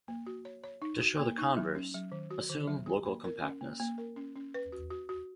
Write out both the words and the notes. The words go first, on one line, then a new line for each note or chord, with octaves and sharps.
To show the converse, "assume local compactness".
A#3
F#4
C#5
C#5
D#4
F#4
A#3
D#4
F#3
C#4
F#3
D#3
F#4
D#3
F#3
F#4
A#3
A#4
C#4
A#3
A#3
A#4
C#4
C#4
B4
F#4
F#4
F#4